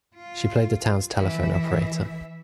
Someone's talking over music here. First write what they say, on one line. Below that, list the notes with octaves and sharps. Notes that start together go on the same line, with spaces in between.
She played the town's telephone operator.
F4
E3 E5